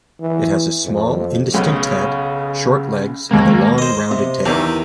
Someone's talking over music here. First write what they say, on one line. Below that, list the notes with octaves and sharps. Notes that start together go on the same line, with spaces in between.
It has a small, indistinct head, short legs, and a long, rounded tail.
E3
F2
B1 C#3
D#2 G#2 A#3
C5 D#5
C3
E2 D#3 E3 G4